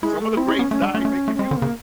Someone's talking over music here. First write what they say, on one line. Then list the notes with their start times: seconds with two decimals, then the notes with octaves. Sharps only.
some of the greats died making music,
0.02 G#3 E4
0.20 A3
0.37 C4 E4
0.48 E4
0.54 C#4
0.59 B3
0.71 A3 C#4
0.82 G#3 D4
0.95 A3
0.97 C#4
1.05 A3
1.28 A3
1.35 C#4
1.39 G#3 C4
1.51 D3
1.57 C#3 A#3